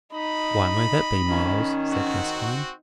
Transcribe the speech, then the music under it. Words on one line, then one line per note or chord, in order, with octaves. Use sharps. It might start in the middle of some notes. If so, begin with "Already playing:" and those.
"Why may that be, Myles?" said Gascoyne.
D#4 D#5 B5
D#3 C#4
C4 F#4